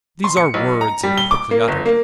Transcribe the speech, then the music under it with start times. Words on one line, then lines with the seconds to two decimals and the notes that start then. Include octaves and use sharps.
These are words and quickly uttered.
0.24 C6
0.37 C#7
0.54 B1
0.81 A#5
1.03 G3
1.18 G7
1.31 D6
1.51 A#3
1.68 G1
1.86 A#3